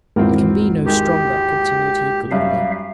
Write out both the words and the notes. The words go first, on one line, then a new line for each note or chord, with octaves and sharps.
It can be no stronger,' continued he, gloomily.
G#1 E2 A#2 C4 F4 A#4
D#3 G#3 G4
F#2 G3 E5 F5